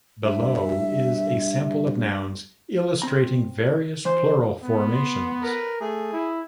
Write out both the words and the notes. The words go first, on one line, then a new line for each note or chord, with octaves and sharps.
Below is a sample of nouns, illustrating various plural formations.
G2 E5
C4 A#5
E3 C5
B3
C6
A#4 B4
A3 G#4
E4